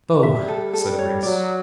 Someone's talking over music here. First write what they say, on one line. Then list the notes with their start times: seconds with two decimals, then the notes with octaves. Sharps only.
"No," said Grace.
0.23 G3 E5
0.48 A4
0.73 A4
0.99 C#5
1.23 F#3 D5